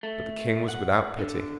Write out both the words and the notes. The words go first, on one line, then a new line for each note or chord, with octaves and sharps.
But the King was without pity.
A3
F#5
D3